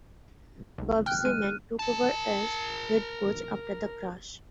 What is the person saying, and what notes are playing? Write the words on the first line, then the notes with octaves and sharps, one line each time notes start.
Bob Seaman took over as head coach after the crash.
B1
G5 F6 F#6
G#3 D#7
A#4 A5